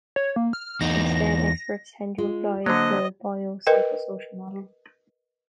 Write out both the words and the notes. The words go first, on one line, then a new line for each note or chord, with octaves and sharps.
Instead, experts tend to apply the biopsychosocial model.
C#5
A#3
F6
E2 D#4 A#6
G#3 F4
D3 F#3 A#3 C5 D#5
A#4 B4 D#5 G5